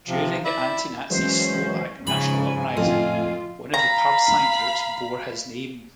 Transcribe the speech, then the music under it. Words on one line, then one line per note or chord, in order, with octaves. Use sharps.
During the anti-Nazi Slovak National Uprising, one of the partisan groups bore his name.
C3 F3
E4 D5
E3 F#3 G#3 C#4 C5
G#2 C#3 F3 G#5 B5
F2 A2 A3 F4
F5 A#5 B5